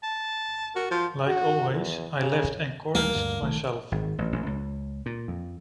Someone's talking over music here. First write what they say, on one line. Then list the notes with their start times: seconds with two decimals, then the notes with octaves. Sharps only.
Like always, I left encouraged myself.
0.03 A5
0.76 F#4 A#4
0.91 F3 C5
1.27 F#4
1.70 E2
2.17 C#3
2.95 D#1 G3 A3 A#3
3.14 D2 G2 D4
3.41 A#1 D#3 A3
3.92 G#1
4.18 A1
4.32 A1
4.46 C#2
5.06 A#2
5.28 F2